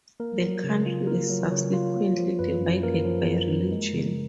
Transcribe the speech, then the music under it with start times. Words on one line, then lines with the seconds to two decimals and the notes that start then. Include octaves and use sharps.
The country is subsequently divided by religion.
0.20 A#3 A#4
0.42 F#3
0.64 C#3
0.86 F4
1.07 A#3 A#4
1.29 F#3
1.51 C#3 C#5
1.74 F4
1.96 A#3
2.17 F3
2.39 F#2 B4
2.61 F#2
2.83 A#3 A#4
3.06 F3
3.28 F#2
3.50 F#2
3.72 G#3
3.93 C#3